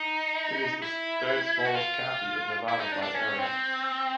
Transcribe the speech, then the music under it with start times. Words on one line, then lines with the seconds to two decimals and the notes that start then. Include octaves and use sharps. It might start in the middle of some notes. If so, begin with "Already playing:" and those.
It is the third-smallest county in Nevada by area.
Already playing: D#4
0.82 E4
1.65 F#4
1.75 F4
2.68 E4
2.80 D#4
2.92 D4
3.02 D4
3.14 C#4
3.38 C4